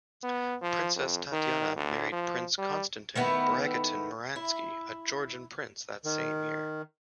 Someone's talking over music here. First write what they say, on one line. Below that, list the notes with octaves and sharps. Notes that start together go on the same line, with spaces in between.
Princess Tatiana married Prince Konstantin Bagration-Muhransky, a Georgian prince, that same year.
B3
F3
F2
D#3
D2
F3
G3
D#3 A3 B3 E4
E4
D#3